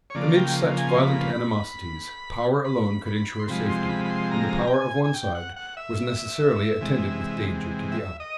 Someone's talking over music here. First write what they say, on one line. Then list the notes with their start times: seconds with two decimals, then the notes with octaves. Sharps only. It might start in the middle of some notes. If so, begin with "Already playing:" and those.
Amidst such violent animosities, power alone could insure safety; and the power of one side was necessarily attended with danger to the other.
0.10 C#5
0.14 C#3 F3 A#3 D5
0.36 G5
0.78 G#5
0.89 C6
0.98 B5
2.65 B5
3.06 B5
3.39 C6
3.48 C3 F3 G#3 B5
3.69 C6
3.89 B5
4.05 B5
4.10 C6
4.31 A#5
4.67 G5
4.73 G#5
5.04 G#5
5.14 G5
5.35 F#5
5.56 F#5
5.77 E5
6.81 C3 E3 G#3
7.92 E5
8.20 D#5